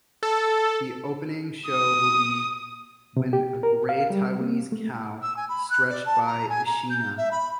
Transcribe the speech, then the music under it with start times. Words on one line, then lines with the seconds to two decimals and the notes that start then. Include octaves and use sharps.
The opening show will be When a Gray Taiwanese Cow Stretched, by Ishinha.
0.23 A4
1.68 D#6
3.17 C3
3.33 G4
3.63 A#4
3.89 F5
4.10 G3
4.41 A#3
4.72 A3
5.22 E6
5.36 G#5
5.49 B5
5.70 F#6
5.89 D5
6.06 A5
6.26 A#5
6.49 G#5
6.66 A#5
6.90 G6
7.17 E5
7.31 B5